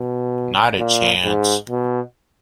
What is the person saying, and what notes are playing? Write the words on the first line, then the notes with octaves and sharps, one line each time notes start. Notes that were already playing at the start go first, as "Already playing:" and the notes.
Not a chance.
Already playing: B2
A#2
G#2
B2